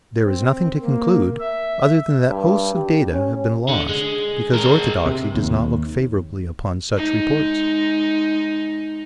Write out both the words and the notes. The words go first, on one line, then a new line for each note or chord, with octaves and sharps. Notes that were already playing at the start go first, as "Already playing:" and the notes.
There is nothing to conclude other than that hosts of data have been lost because orthodoxy does not look favorably upon such reports.
C4
A#3
E5
G2
G4
C#4
D3
G#3
G#3 A#4
C3
D#2
G#3 D#4